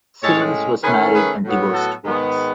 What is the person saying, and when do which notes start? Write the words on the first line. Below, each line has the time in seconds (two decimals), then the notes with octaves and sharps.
Simmons was married and divorced twice.
0.22 A2 G#3 C#4 A4 C#5
0.82 D#3 A3 C#4 G#4 B4
1.13 G#4 B4
1.44 A2 F#3 B3
1.73 F#4 A4
2.04 G#2 D#3 G#3 B3